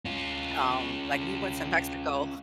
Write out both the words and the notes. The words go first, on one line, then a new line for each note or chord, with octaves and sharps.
um, like, we went to Mexico.
C#4 F4